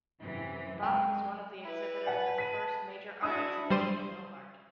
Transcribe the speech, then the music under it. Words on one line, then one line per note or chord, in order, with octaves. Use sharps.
Bock was one of the exhibitors at the first major art exhibition, in Hobart.
F#2 C3 E3
G#3 G5
E4 B4
F#5 G#5 A5
B6 D#7
D4 E4 F#4 D#6 E6
G3 C5 C6 D#7